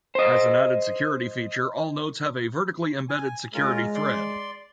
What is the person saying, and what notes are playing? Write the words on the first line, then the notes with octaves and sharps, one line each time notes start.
As an added security feature, all notes have a vertically embedded security thread.
C5 D#5
G#5
G#3 C#4 F4 A#4
D5 C6